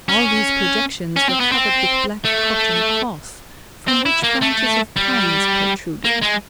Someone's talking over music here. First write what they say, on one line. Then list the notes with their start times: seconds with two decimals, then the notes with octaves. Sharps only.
All these projections were covered with black cotton cloth, from which branches of pines protruded.
0.09 C#4
1.16 C#4
1.29 C4
1.40 B3
1.52 C4
2.25 A3
3.88 C4
4.06 E4
4.24 A#3
4.42 A3
4.96 G3
6.05 A#3
6.23 G#3